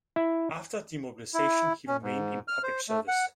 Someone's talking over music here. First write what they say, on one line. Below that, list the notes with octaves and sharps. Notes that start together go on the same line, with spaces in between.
After demobilization he remained in public service.
E4
E4
C#4
G#2
F6
C5
A3
F#5